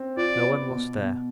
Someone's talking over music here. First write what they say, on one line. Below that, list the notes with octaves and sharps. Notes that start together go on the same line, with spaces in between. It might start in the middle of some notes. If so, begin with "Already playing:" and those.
No one was there.
Already playing: C4
F4 D5
B3
B2
B2